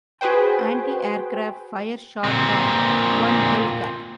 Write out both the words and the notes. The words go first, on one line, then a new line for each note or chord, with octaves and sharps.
Antiaircraft fire shot down one Hellcat.
F#4 G#4 B4 C5 G5
A#2 C4